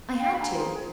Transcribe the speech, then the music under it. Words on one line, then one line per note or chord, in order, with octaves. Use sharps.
I had to.
D4 F5 G5
B5
G#5 A#5
F4 G#4 C5